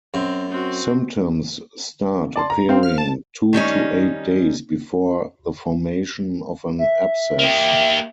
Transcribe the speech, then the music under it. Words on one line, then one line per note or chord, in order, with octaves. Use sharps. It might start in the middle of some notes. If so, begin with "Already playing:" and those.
Symptoms start appearing two to eight days before the formation of an abscess.
F#2 C4
C4 F#4
D5 A5 C6
A#5
C4 C5 F5
F6
A5
D#3 G3 C#4 D#4
E5
A#3 G4